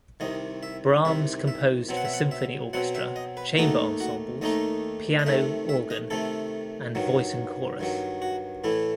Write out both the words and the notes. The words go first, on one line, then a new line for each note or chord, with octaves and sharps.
Brahms composed for symphony orchestra, chamber ensembles, piano, organ, and voice and chorus.
C2 C3 D#3 D#5
E5
C2 C3 D#3 E5
E5
B2 F#3 C4
F#5
E5
F#5
E5
B2 F#3 C4 F#5
E5
D#5
B4
D#2 D#3 A3 D#4 F#4
F#4
D#2 D#3 A3 D#4 D#5
D#5
C3 D#3 A3 E5
E5
D#5
C3 D#3 A3 A4
G2 D#3 F#3
G2 D#3 F#3
F#4
A2 E3 A3 E4